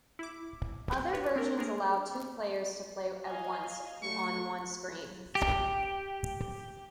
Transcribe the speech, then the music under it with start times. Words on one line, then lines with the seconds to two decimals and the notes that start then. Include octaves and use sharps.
Other versions allow two players to play at once on one screen.
0.19 E4 D6
1.13 D4 B4 C#5
1.36 C4 D4 A#4
1.57 A#3 B3 D4 G#4 A#4
3.24 D#5 F5 G#5
4.03 A3 C#6
5.35 G4